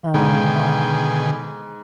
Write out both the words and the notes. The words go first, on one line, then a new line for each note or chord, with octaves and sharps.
Oh, wow.
G#2 B2 D3 D#3 G#4 G5